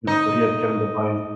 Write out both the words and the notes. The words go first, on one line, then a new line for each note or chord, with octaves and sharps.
Yeah, so he had to get 'em to buy in.
D#4